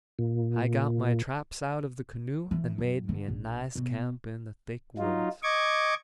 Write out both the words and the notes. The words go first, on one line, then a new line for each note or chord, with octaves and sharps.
I got my traps out of the canoe and made me a nice camp in the thick woods.
A#2
E3
F#2
D3
A#1
B2
F#3 D#4 F4
D#5 C#6 D6 G#6